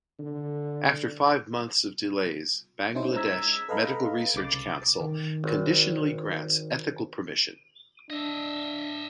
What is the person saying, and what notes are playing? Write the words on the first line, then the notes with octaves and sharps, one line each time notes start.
After five months of delays Bangladesh Medical Research Council conditionally grants ethical permission.
D3
C#4 D#4 E4 C5
G#3 A#5 E6 G#6 B6
A4 B4 D#5 F5 A#5 B5
C2 C#3 D6 A6
D#3
G#1
D4 D#5 E5